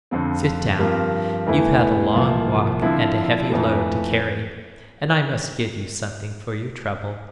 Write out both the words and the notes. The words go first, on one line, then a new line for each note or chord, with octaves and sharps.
'Sit down, you've had a long walk and a heavy load to carry, and I must give you something for your trouble.
F2 D3 F3 C4
G2 F3 C4 G4 A#4
E2 E3 A3 E4
C2 A#2 F3
D3 F3 C4 E4
F2 E3 A3